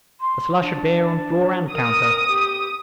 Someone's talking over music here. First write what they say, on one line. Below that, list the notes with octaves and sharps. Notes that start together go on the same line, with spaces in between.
A slush of beer on floor and counter.
C6
D4
A#4 D#6
G4